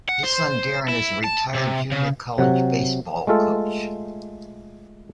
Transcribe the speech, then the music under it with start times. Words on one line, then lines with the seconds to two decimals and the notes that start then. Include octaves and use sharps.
His son Darren is a retired junior college baseball coach.
0.09 F#5
0.23 C5
0.89 E4
1.24 A5
1.54 C3
1.92 C#3
2.38 C3 F#3 F#5
3.27 G#3 A3 F4 A4